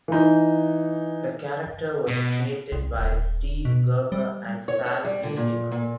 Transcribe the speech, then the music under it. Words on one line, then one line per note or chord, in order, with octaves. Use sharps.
The character was created by Steve Gerber and Sal Buscema.
E3 D#4
B2
C2
D#1
B2
G3
C#5
C#5
G3
D3
A#2
A#2